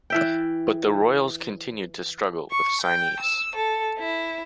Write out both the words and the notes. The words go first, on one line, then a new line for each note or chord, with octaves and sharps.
But the Royals continued to struggle with signees.
E3 E5 G5
C#6
G5
E6
A4
E4